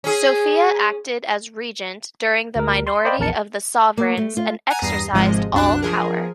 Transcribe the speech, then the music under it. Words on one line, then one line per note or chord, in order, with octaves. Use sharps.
Sophia acted as regent during the minority of the sovereigns and exercised all power.
C#4 G#4
D2 A#4
C6
C5 D5 D#5 F5 G5 B5
A#1 E2 A#4 A5 C#7
A#3
A3
F4
F#5 G#5 A#5
E2 G2 A#5 D#6 A#6 C7
G#1 G#2 C3 F3 G#3 D#5
C2 F#2 D4 F#6
F3 G#4 A#4